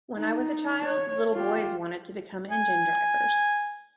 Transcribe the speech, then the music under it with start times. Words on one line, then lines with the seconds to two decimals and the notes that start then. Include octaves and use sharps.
When I was a child, little boys wanted to become engine drivers.
0.17 D#4
0.86 C#5
1.32 F4 G4
2.51 G#5